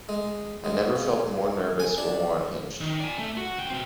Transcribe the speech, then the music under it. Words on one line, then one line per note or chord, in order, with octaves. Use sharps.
I never felt more nervous or more unhinged.
G#3
G#3
C#3
G#5
D4
D#3
D5 G#5
A3
F#4
C#2 G5
B2 C4